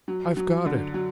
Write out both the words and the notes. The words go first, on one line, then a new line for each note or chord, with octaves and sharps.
I've got it!'
F#3
F#3
D3
F#3